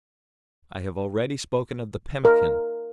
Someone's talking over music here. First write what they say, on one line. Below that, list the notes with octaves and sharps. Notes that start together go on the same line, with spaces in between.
I have already spoken of the pemmican.
A#4